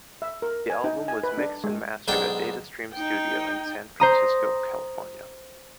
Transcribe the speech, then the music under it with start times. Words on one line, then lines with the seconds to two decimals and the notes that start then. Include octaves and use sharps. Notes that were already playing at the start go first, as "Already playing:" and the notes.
The album was mixed and mastered at Data Stream Studio in San Francisco, California.
0.22 E5
0.42 A#4
0.70 G#5
0.84 D#4
1.08 G#5
1.23 B4
1.38 D4
1.64 G#3
2.08 B1 G#2 D4 G5
2.93 D#4 G5
4.00 C5 A#5 D#6